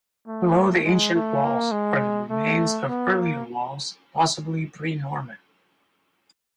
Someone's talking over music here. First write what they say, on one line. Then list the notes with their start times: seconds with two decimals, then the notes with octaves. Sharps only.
Below the ancient walls are the remains of earlier walls possibly pre Norman.
0.28 A3
0.85 G#3
1.15 A3
1.44 A#3
1.72 G#3
2.30 A3
2.88 B3
3.17 A#3